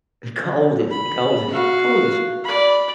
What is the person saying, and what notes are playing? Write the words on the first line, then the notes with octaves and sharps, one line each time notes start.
And cold is cold is cold is
B5
F#4 F5
D5 B5